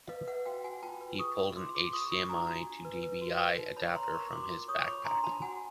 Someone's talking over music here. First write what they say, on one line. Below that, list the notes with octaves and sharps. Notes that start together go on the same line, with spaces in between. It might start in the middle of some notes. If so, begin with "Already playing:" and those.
He pulled a HDMI to DVI adapter from his backpack.
B4 D#5 F5
B4 E5 F#5
F#4 F5 G5
F#4 F#5 G#5
F4 G5 A5
B4
G#4 C#6 D#6
F4
F4 C6 D6
G#4 C6 D6
F4 C#6 D#6
F4 C#6 D#6
D4 G#5 A#5
F#4
D4
B4
B4
F#4
B4
D#4
C#5 A5 B5
C#5 A#5 C6
A#4 B5 C#6
F#4 C6 D6
F4
C#5 C#6 D#6
D6
C#5 B5 C#6
D4 A#5 C6
D4 A5 B5
F#4 F#5 G#5